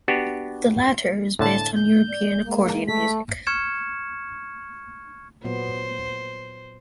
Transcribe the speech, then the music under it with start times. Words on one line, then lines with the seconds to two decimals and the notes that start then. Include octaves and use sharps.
The latter is based on European accordion music.
0.08 B3 D4 F#4 G4
1.39 A2 D3 A5
1.75 G6
2.09 D5
2.46 G#3 A#3
2.88 A3 B6
3.47 C#6 F6 G#6 C#7 E7
5.44 A#2 F#3 B3 C5